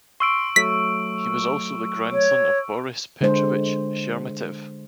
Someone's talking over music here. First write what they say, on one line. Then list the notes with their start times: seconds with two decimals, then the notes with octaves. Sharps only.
He was also the grandson of Boris Petrovich Sheremetev.
0.20 C6 C#6 E6 D7
0.56 F#3 A3 B6
2.12 C#5
3.21 D3 G#3 C5